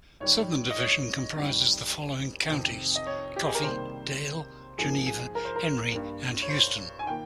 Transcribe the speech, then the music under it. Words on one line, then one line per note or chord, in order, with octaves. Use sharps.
Southern Division comprises the following counties: Coffee, Dale, Geneva, Henry, and Houston.
G#2 D#3 G3 C#5
D#5
C#5
F2 D#3 G3
F2 C3 D#3
D#5
C#5
G4
G#4
A#4
C3 D#3 G3 A#3 C5
G#2 F3 A#3 G#4
G#4
A#4
C5
A#4
G2 G3 A#3
C#5
C5
G#5
D#3 A#3 G5